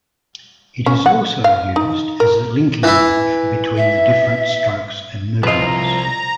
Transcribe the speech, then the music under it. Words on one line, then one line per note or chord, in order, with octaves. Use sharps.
It is also used as a linking move between the different strokes and movements.
C#4
F#5
F5
D#4
A#4
E3 E4
E5
C2 F3 F4 B4 D#5 A#5